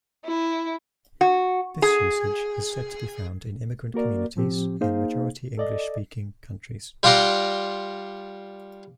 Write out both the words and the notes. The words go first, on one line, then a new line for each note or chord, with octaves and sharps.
This usage is said to be found in immigrant communities in majority-English-speaking countries.
E4
F#4
G#4
A#3 F#4 A#4 D5
A2 F3 C4 G4
A#3 D#4 G#4 C5 F5
A4 D5 D#5
G3 F4 D5 F#5 A#5 C6